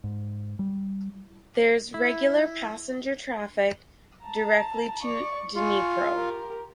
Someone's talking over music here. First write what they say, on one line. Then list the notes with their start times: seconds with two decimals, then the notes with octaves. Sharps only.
There is regular passenger traffic directly to Dnipro.
0.04 G#2
0.59 G3
1.94 E4
4.23 A5 A#5
5.02 D5 C#6
5.56 F4 G#5 C#6
6.14 G4 A#4